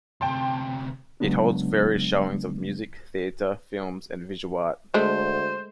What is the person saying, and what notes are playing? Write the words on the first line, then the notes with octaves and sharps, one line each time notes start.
It holds various showings of music, theatre, films and visual art.
D2 C3 G5 A5 C6
C#3 F#3 G#3 B3 D4
D2 G#3 A3 C5